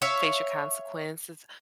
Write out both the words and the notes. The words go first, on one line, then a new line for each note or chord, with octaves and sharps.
face your consequences,
C#5 E5 F5